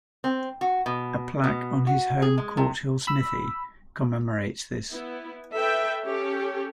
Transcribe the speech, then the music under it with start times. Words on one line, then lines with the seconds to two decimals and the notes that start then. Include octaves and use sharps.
A plaque on his home, Courthill Smithy, commemorates this.
0.24 C4
0.61 F#4
0.86 B2
1.44 B2
1.87 F#4
2.22 G#4
2.38 G#3
2.57 C3
3.07 B5 E6
4.92 B3 E4
5.53 A4 B4 E5 G5
6.04 C#4 G4 A4 C#5